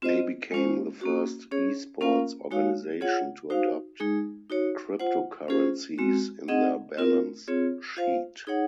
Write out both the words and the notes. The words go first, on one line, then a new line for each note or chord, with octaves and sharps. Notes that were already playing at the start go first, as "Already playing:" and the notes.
They became the first esports organisation to adopt cryptocurrencies in their balance sheet.
C4 F4 C5 D#5
G#3 C#4 F4 C5
A#3 C#4 F#4
C#4 G#4 C#5
A#3 C#4 F4 A#4 F5
G#3 D#4 F#4 C#5 F5
F4 G#4 C#5 F#5
D#4 F#4 C5 F5
G#3 D#4 G#4
D#4 F#4 C#5
F4 C5 F#5
C#4 F4 G#4 C5
G#3 C4 F#4
C4 D#4 G#4 D#5 F#5
C4 F4 A#4
C4 F4 G#4 C#5
F4 C5 F5
D#4 G#4 C#5 F#5